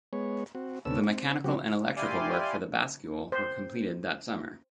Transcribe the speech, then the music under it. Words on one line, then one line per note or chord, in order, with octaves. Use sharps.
The mechanical and electrical work for the bascule were completed that summer.
G#3 B3 C#5
C4 F#4
D2 C3 B3 C#4 A4 E6
C4
C#3 F#3 C4 F#4 G4
E4 G4 D5 F5 G#5 C6
C5